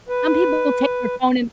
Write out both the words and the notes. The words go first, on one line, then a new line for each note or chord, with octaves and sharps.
Some people will take their phone and
B4